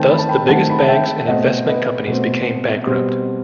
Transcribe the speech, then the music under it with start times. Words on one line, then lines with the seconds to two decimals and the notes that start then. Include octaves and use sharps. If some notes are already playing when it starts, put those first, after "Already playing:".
Thus the biggest banks and investment companies became bankrupt.
Already playing: D#3 A3 C4 G5 A5
0.10 B5
0.19 A5
0.29 G5 B5
0.48 D#3 A3 C4 F#5 A5
0.70 B5
0.79 A5
0.88 E5 G5
1.27 B2 A3 C4 D#5 F#5
1.67 B4 D#5
2.08 B2 A3 C4
2.86 B2 G3 C4